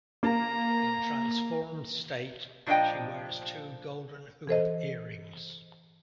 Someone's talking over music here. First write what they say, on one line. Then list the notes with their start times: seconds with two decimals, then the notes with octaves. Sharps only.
In transformed state, she wears two golden hoop earrings.
0.23 A#3 A#5
2.66 A#2 F3 D4 E4 D#5 G5
4.47 E3 A4 C5 D#5